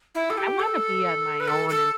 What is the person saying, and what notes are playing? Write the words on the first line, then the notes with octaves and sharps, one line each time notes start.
I wanna be on my own, and
E4
A4
G4
A4
B4
A4
A4